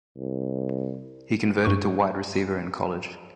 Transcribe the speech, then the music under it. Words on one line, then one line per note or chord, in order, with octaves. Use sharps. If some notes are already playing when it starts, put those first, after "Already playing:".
He converted to wide receiver in college.
C2
G2 C#6